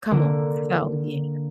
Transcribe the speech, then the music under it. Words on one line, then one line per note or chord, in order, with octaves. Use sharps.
come on, so, yeah.
D3 A#3